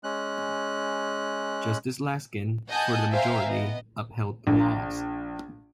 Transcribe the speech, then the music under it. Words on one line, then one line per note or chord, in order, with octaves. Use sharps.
Justice Laskin, for the majority, upheld the laws.
G#3 C#4 F#6
D#5 F#5 G#5 A5 D#6 G6
C5 E5 F5 G5 G#5 A#5
B3 D#5
A#1